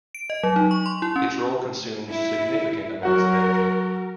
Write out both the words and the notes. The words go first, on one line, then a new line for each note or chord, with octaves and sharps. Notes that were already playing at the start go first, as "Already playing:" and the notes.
Its role consumes significant amounts of energy.
D7
D#5
F#3
D#4
C#6
C6
E4
C#4
E4
F#3 F#4 A#4 F#5